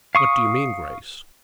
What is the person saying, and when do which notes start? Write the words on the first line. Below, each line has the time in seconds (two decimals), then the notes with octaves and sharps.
"What do you mean, Grace?"
0.15 F5 C#6 D#6